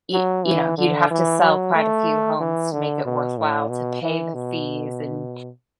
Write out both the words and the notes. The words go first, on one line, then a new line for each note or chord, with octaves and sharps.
i you know, you'd have to sell quite a few homes to make it worthwhile to pay the fees and
F#3
E3
D3
E3
F#3
A3
E3
D3
B2
A2
B2
E3
B2